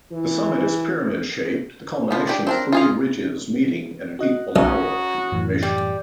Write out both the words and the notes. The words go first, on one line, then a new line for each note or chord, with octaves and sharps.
The summit is pyramid-shaped, the culmination of three ridges meeting in an equilateral configuration.
E3
F3 B3
D4 G4 D5
C4 D4 A#4
F4 G#4 F5
F#4 D#5 F#6
B1 C#4 F#4 A#5 D#6
F#2 A2 E3
G3